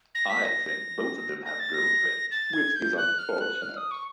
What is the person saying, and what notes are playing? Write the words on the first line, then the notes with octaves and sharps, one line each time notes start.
I think both of them have girlfriends, which is unfortunate.
A#6
B6
A#6
A#6
A6
A#6
A6
G#6
G6
F#6
F6
F#6
F6
D#6
C#6